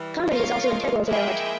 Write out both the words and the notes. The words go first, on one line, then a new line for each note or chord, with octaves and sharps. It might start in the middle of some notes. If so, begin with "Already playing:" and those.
Comedy is also integral to their art.
Already playing: E3 G3
C#3 F3 F4 A#4 C#5 F5
F3 G#3
F3 G#3 A#3 E4 G#4 E5 G5